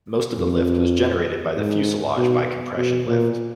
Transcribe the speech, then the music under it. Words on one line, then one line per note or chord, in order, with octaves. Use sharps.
Most of the lift was generated by the fuselage by compression lift.
F2
G#2
B2
B2
A#2